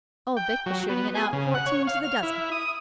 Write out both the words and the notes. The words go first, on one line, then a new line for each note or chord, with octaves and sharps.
Old Bick was shooting it out fourteen to the dozen.'
G5
F#3
B3
G#4
C#3
F#5
C#5
F5
F6
E4
D#6